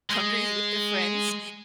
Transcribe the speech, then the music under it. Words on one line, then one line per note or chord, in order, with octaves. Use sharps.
boundaries with the friends.
G#3